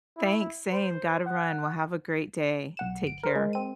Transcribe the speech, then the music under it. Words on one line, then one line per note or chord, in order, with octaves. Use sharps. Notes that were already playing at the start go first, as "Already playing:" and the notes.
Thanks, same, gotta run, well, have a great day, take care.
E4
C5
F#5
B1 F#5 E7
G1 D7
A#4 C5
G#3
C4 D#7